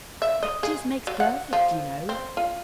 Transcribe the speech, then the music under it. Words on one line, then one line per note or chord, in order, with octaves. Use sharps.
Practice makes perfect, you know.
E5
D#5
G#4
F#3
F#5
F3
C4
F4